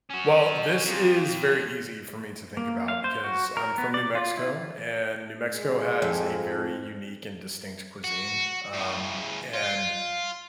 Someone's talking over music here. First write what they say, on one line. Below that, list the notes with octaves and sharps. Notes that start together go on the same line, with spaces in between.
Well, this is very easy for me to think about, because I'm from New Mexico, and New Mexico has a very unique and distinct cuisine. Um, and
C#4 F#4
F2
A#3
F5
C5
F#4
A#4
B3
D5
F4
E4
G#3
F2
F#4
A2 C#3
F4